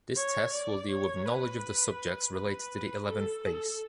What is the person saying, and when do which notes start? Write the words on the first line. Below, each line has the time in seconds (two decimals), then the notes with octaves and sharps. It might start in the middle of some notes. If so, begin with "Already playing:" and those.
This test will deal with knowledge of the subjects related to the eleventh base.
0.17 C#5
0.53 D5
0.90 C#5
1.26 B4
2.35 B4
3.07 A4
3.44 A4